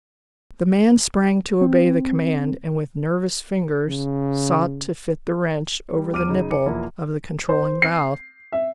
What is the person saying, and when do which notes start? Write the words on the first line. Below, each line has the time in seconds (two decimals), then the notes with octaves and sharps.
The man sprang to obey the command, and, with nervous fingers, sought to fit the wrench over the nipple of the controlling valve.
1.61 C4
3.88 C#3
5.94 G3
6.13 E2 D6 F6 D#7
6.29 F#2 C#3 D#4
6.51 D6 C#7
6.66 E2 B2 F3 A#3 E4
7.49 C5
7.82 C7
8.52 E5